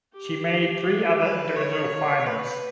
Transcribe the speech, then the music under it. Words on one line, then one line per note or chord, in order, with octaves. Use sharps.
She made three other individual finals.
G4
B4
C#5
B4